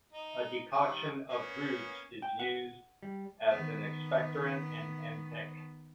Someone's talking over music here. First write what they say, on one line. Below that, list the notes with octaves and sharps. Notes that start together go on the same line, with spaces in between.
A decoction of the roots is used as an expectorant or emetic.
D#4
D#3 G3
A#3 B3 C#4
G5
F#5
G3
D#3 B3